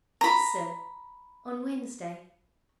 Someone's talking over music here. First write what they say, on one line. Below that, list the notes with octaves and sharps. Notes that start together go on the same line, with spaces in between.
"Yes, sir, on Wednesday."
A#5 B5